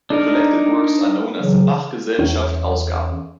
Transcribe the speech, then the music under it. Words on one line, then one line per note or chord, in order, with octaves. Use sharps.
The collected works are known as the Bach-Gesellschaft-Ausgabe.
D4 D#4 A#4
C#3 E3 F#3
E2 C#4